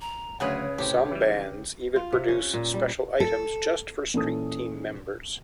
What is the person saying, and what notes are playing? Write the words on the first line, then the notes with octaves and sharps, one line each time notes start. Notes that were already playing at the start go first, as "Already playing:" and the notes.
Some bands even produce special items just for street team members.
A#5
D2 C#3 F#3 G#4 B4 C#5 F#5
A2 C3 G4
E3 G3
F4
C3
C#4
A#2
G3
A4
A#2 E3 C#4 A4 D#6